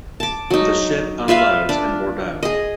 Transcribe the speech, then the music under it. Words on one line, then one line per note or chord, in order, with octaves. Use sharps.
The ship unloads in Bordeaux.
A5 D6
F#3 D#4
F4 B4 E5 F5
D4
G#4 D#5